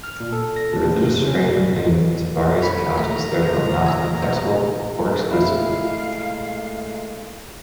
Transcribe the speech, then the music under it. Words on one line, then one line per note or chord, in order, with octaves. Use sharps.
The religious frame in Tabari's account is therefore not inflexible or exclusive.
F6
A#2
A4
A#6
A5
F#2
C3
C#4
G3
G#1
C#5 B5
A3 A#4 A#5
F3
D#5 E5 G#5
B2 C5
A#2 G#3 A3 E4 F5